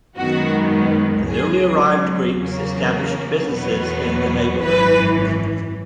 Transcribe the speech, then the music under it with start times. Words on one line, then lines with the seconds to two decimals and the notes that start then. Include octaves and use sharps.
The newly arrived Greeks established businesses in the neighborhood.
0.16 F#2 D#3 G#3 B3 F#4
1.28 C#2 C#3 F#3 G#4
2.39 E2 C#3 F#3 A#3
3.50 E2 B2 F#3 B3
4.62 G#1 F#2 E3 B4